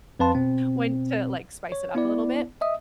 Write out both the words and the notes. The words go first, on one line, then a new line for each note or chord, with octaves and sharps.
when to, like, spice it up a little bit.
F2 C4 B4 F5 A5 C6
B2 C4
C#5
B3 E4 D5
D#5 E5 D#6